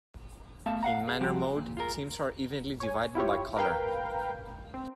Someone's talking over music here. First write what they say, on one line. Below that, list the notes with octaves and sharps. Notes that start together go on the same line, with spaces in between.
In Manner mode, teams are evenly divided by color.
A3 B3 E5 F5 A5
F5 F#5 A#5
G#4
F3 G3 C4 F#4 G4
A#2
F4 G#4 A#4
C#5 G#5
E4 F4 G4 C#5
A#4 B4 F5 G5
C4